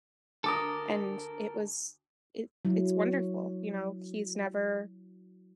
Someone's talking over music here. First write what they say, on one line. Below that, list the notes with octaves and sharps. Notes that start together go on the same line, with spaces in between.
And it was it it's wonderful, you know? He's never,
D2 A4 A#4 D6 D#6
F#3 E4